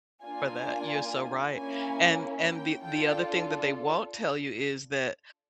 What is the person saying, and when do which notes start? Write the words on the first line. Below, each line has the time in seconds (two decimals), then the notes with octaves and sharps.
For that, you're so right. And and the the other thing that they won't tell you is that
0.25 A#3 D4 F4 G#5
1.54 A#3 C#4 E4 G#5
2.51 G5
2.83 D4 F4 A4 G5